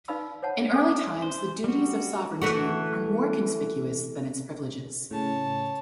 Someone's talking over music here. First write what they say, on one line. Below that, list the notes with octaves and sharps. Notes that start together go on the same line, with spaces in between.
In early times the duties of sovereignty are more conspicuous than its privileges.
D#4 B4 D5 F5 B5 E6
C5 C#5 F#5 A5
A4 C5 G#5 D6
C5
G3 F#4
E3 A3 F#4
A2 C#3 C#5 A5